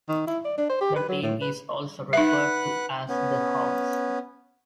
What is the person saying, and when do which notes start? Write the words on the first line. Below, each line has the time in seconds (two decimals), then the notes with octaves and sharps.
The team is also referred to as the "Hawks".
0.09 D#3
0.27 E4
0.45 D5
0.58 D4
0.69 C5
0.81 G4
0.96 B4
1.09 F#3
1.22 A2
1.42 B4
2.13 D#4 B4 E5 F#5 F#6
3.09 B3 C#4